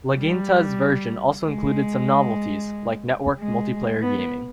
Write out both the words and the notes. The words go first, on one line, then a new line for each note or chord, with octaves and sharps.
Latinga's version also included some novelties like networked multiplayer gaming.
G3
G#3
G#3
B3